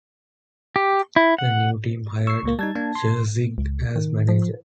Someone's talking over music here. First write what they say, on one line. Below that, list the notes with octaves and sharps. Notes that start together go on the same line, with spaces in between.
The new team hired Sharsig as manager.
G4
E4
F#5
C#6 E6 C7
C#2 A#2 A#3
G3 D#4 A5 G#6
A#3 D4
C6
C#2
D#3
F3